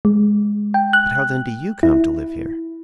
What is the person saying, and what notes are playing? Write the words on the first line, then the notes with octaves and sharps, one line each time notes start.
"But how then do you come to live here?"
G#3
G5
F#6
E4